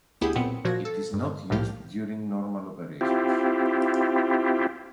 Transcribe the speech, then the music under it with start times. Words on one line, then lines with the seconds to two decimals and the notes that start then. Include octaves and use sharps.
It is not used during normal operations.
0.21 D2 B3 E4 G4 G#4 D#6
0.35 B1 A#2 B3 C4 C#7
0.65 A#2 F3 F#4 G#6 A#6
0.85 A4
1.13 G2
1.50 C2 A2 F3 G4 F6
3.01 C4 E4 F4 G4